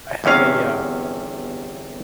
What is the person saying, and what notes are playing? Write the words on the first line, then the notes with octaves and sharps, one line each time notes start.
I have a, uh
G1 E2 C3 C#4 F5